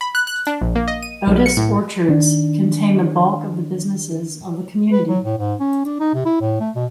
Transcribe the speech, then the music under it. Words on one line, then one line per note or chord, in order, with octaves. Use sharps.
Otis Orchards contains the bulk of the businesses of the community.
B5
F#6
F#6
D4
A#1
A#3
D#5
D#7
B1
C#7
A2
D#3 D4
B4
F#3
A2
G#2
C#4
D4
D#4
C3
E4
A2
A3
B2